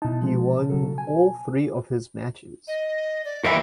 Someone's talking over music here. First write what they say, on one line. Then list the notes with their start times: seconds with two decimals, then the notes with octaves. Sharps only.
He won all three of his matches.
0.02 B2 D#4 E4 A5
0.22 F3 G#3
0.70 C#3 F#3 A4
0.98 G#5
2.68 D#5
3.25 D5
3.44 D#2 E3 A#4 E5